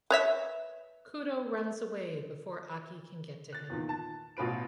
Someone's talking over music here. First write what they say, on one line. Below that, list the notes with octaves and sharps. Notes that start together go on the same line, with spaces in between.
Kudoh runs away before Aki can get to him.
B4 C#5 E5
F#6 A6
E2 A#2 D#3
A5 A6
A1 B2 F4 B4 D7